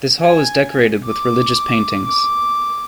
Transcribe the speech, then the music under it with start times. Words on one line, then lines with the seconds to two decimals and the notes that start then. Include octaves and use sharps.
This hall is decorated with religious paintings.
0.22 G#5
1.05 D6
2.06 D6